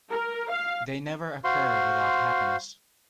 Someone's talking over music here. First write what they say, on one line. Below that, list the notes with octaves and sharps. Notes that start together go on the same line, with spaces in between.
They never occur without happiness.
A#4
F5
F#4 C5 F5 C6